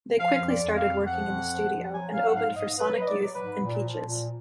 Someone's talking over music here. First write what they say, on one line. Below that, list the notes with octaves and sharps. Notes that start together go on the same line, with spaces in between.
They quickly started working in the studio and opened for Sonic Youth and Peaches.
F3 F5
F2
D5
F2
F5
F2
F3 F#5
F2
F3
F3
F#3 G#5
F#3 F5
F#5
G#2 F5
G#2 D#5
F#3 B4
F#3 D#5
D5
F#3
B4
G#2
A#2
F3
A#2